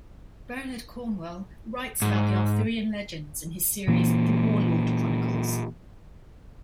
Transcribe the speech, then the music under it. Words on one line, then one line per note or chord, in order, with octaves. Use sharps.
Bernard Cornwell writes about the Arthurian legends in his series "The Warlord Chronicles".
G#2
A#2 E3 A#3